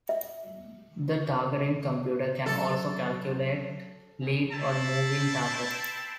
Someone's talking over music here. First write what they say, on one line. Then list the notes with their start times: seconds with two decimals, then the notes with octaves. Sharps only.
The targeting computer can also calculate lead on moving targets.
0.09 E5
2.46 F#3 A4
4.51 C4 E4 A5